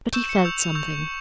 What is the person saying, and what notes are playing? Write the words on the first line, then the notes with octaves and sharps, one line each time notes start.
But he felt something.
C#6 E6 G6 E7
C#7
C#6 E6 G6 F7
F7
C#6 E6 G6